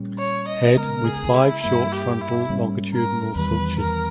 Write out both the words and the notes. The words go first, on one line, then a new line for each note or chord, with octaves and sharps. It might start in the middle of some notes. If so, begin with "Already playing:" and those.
Head with five short frontal longitudinal sulci.
Already playing: A#2 G3 C#4
C#5
D#5
C#3 G#3 B3 A#4
G#4
E4
G2 G3 A#3 E4
G4
E4
G#2 G3 A#3 C#4
A#4
E2 D#3 G3 B4
A#4